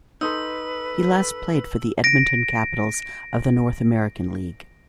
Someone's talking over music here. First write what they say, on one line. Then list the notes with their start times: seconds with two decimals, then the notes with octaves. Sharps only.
He last played for the Edmonton Capitals of the North American League.
0.21 D#4 A4 B4 C6 D#6 E6
2.04 A#6 D7